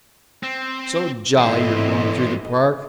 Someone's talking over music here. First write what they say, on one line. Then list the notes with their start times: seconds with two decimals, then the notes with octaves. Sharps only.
"So jolly you're going through the Park."
0.43 C4
1.38 E2 G#2 D3 E3 C4 E4 C5 D#5